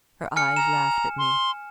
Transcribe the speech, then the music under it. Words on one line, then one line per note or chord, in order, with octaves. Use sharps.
Her eyes laughed at me.
G#5 F6 C#7
A#5 E7
C6